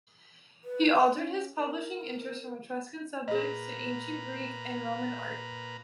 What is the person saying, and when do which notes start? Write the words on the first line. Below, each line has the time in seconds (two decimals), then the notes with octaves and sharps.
He altered his publishing interests from Etruscan subjects to Ancient Greek and Roman Art.
0.64 B4
1.14 C#4
1.56 A#4
3.28 A#2 G#4 B4 D#5 A#5